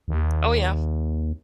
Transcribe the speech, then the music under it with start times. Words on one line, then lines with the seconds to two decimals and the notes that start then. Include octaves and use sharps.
Oh yeah,
0.08 D#2